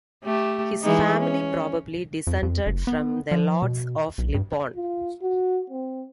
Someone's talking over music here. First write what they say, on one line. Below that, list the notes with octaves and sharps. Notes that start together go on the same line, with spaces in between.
His family probably descended from the Lords of Lipporn.
A3 G4
E3 G#3 D#4
C#4
F2
F2
F#1
B3
F3
B2
B1
G2
F4
F#4
C4